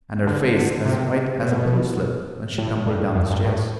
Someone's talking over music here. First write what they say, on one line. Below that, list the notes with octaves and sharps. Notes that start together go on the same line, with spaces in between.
"And her face as white as a pillow-slip when she tumbled down the stairs."
D3
D3
C3
B2
A2
G2
F#2
G2
A2